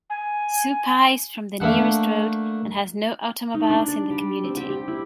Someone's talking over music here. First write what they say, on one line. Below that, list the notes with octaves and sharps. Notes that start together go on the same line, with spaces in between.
Supai is from the nearest road and has no automobiles in the community.
G#5
A3 A#3 D4 F#5
D#4
D4
D5
G3
C4
G4
G4
E4